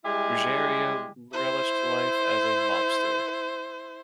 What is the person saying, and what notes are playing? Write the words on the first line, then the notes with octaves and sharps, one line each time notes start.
Ruggiero relished life as a mobster.
G3 G#3 E4 G4 G#4
E4 C5